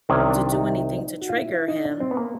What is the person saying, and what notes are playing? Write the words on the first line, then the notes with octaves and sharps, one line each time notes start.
d do anything to trigger him.
C2 C3 D#3 C#4
D4
D#4
F#4
F4
E4
E4
D#4
D4
C4
B3
A#3